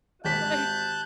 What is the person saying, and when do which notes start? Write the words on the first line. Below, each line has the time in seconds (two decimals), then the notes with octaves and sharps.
It's like,
0.25 G#1 G4 A5 F#6 G6 B6